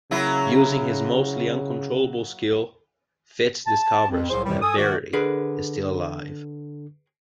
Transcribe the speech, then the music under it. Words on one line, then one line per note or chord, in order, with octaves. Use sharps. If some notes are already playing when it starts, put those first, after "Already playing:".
Using his mostly uncontrollable Skill, Fitz discovers that Verity is still alive.
C#3 F#3 A#3 E4
A5
F2
C2 A2 F#3 E4 G#4 C5
F2 A2 C3 D#3 E3 G3
A4 G#5 D#6
D#3 A3 F#4 D5
D3 G#4 A#4 B4